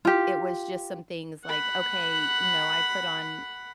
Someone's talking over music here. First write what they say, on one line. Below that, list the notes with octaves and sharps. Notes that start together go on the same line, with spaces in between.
it was just some things, like, "Okay," you know, "I put on"
F4 G4
F#5 B5